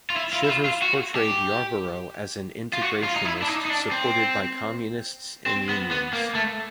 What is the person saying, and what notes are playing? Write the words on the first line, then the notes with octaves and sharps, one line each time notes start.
Shivers portrayed Yarborough as an integrationist supported by communists and unions.
F4
E4
F4
E4
F4
F4
F#4
G4
F4
F#4
F4
D#4
E4
D4
D#4
D#4
D4
C4
C4
B3
B3
A#3
A3